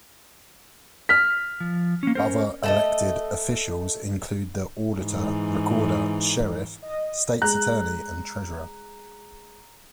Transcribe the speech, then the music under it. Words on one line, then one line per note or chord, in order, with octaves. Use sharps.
Other elected officials include the auditor, recorder, sheriff, state's attorney, and treasurer.
F6 B6
F3
A#3 C#4
C#4 A#4 C5
A3 A4 D#5
G#2 E3
D#5
G#3 A#5 F#6